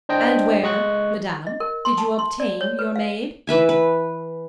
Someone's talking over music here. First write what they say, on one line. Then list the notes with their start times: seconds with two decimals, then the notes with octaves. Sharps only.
"And where, madame, did you obtain your maid?"
0.09 D4 C5 D#5 G5
0.63 G#3 D#5 C#6 F#6
1.47 D#5
1.60 A#4
1.85 C6
1.98 A5
2.19 C6
2.40 D5
2.61 C#5
2.79 B4
2.96 F5
3.47 E3 B4 E5 G#5
3.69 B4